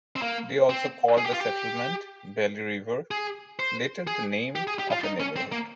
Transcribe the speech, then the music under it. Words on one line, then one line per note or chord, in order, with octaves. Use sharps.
They also called the settlement "Belle River", later the name of a neighborhood.
C4
A#3
C4
G#4
G4
F4
G4
G#4
C5
G#4
G4
G#4
G4
F4
D#4
C#4
C4
A#3